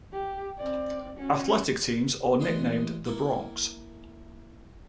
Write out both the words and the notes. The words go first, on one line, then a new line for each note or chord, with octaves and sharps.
Athletic teams are nicknamed the Broncs.
G4
C4 D5
C#4 F#4
A1 E2 G#3 G#4 B4 D#5
A#3 E4 A4